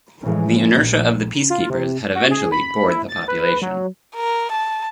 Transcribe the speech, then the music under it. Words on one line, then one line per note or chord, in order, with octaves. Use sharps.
The inertia of the peacekeepers had eventually bored the population.
A2 C#3 E3 F3 G#3 C#4
A#1
F4
C3
F#4
G#4
B5
E4
A6
B4
F#3
A#4
A5